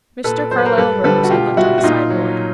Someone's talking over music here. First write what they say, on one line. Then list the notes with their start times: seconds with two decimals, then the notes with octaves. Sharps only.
Mr. Carlyle rose and looked on the side-board.
0.24 A#2 A4 B4
0.51 F#3 C5
0.58 B4
0.65 A#4 C5
0.77 G2 A4 B4
1.04 D3 G3 A4 B4
1.23 F#4
1.30 B2 F4 G4
1.57 G3 E4 F#4
1.78 F#4
1.84 A#2 D#4 F4
2.10 F#3